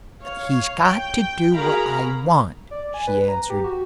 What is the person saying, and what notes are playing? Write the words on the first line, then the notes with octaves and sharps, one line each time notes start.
"He's got to do what I want," she answered.
C#5 F5
G5
F#4 G#4 A#4 F5 A#5 B5
D5
G#5
B4
A#5
G4
F#4